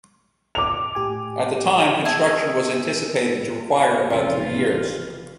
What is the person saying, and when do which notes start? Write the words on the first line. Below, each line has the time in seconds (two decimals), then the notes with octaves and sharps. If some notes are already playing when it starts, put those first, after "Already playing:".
At that time, construction was anticipated to require about three years.
0.55 D6 F7
0.95 A2 G4 G#5
2.05 E4 G#4 A5 E6
4.10 F1 F2 C#3 E3 C4 F4